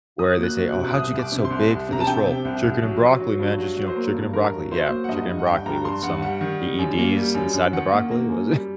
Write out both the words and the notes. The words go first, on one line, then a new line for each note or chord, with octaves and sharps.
where they say, "Oh, how'd you get so big for this role?" "Chicken and broccoli, man. Just, you know, chicken and broccoli." Yeah, chicken and broccoli with some EEDs inside the broccoli was it
F#3 D#6
A#3
F#6
F#3
F#6
C3
F#6
C2 D#6
C2
D6
C3
C6
C2
C2
C3 A#5
A5
C3 G5
C3
C2
C2
F#3
F#3
F#3
G2
F#3
F#3
C5
A#3 A#4
G2
G2 A#4
F#3
F#3 C5
A#3
F#5
G2 D#5
G2
F#5
G2 G5
G2 A#5
G2 C6
G2 F#5
G3 F#5
D#3
G3
F#2
A#3
G3
F#2
F#2
D#3 F#5
A#3
A#3
F#2
G3